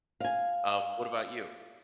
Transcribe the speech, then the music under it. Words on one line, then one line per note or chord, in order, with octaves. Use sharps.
Um, what about you?
F5 G#5